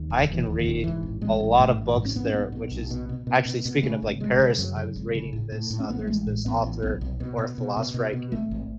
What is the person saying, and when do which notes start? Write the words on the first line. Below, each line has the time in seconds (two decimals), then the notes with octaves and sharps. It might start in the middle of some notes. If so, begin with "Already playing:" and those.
I can read a lot of books there, which is actually speaking of like, Paris, I was reading this uh, there's this author, or a philosopher, I could
Already playing: D#2
0.10 E1
0.28 E1
0.34 E3
0.47 D#2
0.59 D#3
0.66 E1
0.84 G#2 E3
1.03 A1
1.21 A1 G#3
1.40 A1
1.60 G#2 A3
1.78 A1
1.96 G#2
2.05 C#4
2.16 G#2 B3
2.25 C#4
2.33 B1 B3
2.52 B2
2.72 B1
2.91 B2
3.09 B2
3.27 B2
3.46 B2
3.65 B2
3.83 C#3 A3
4.02 G#1
4.20 C#3 G#3
4.40 C#3
4.58 F#2 F#3
4.76 C#3
4.96 G#1
5.15 C#3
5.33 A2
5.52 A2
5.70 A2
5.80 C#4
5.89 A1 B3
5.99 A3
6.07 A1 G#3
6.27 A2
6.46 A1 B3
6.63 A1
6.82 B1 B3
7.01 B1
7.20 B2
7.38 B2
7.58 B2
7.77 B2
7.94 B2
8.13 B2
8.32 G#1 A3
8.51 G#1